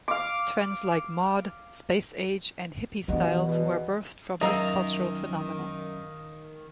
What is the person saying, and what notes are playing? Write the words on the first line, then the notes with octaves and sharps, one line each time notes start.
Trends like mod, Space Age, and hippie styles were birthed from this cultural phenomenon.
F5 D6
G2 B2 E3 B3
E2 B2
F#2 D#3 D#5 F5 A#5 E6